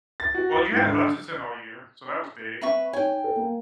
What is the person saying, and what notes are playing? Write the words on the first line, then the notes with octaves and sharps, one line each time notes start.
Well, you had Hutchinson all year, so that was big
A6
F#4
A6
G#2
D3
C4 B4 E5 C#6
D#4 C#5 G5 G#5
A4
A#3